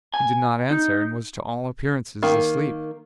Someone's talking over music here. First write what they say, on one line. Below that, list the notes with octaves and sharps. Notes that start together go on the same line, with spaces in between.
He did not answer, and was to all appearances asleep.
G#5
D#4
D#3 A#3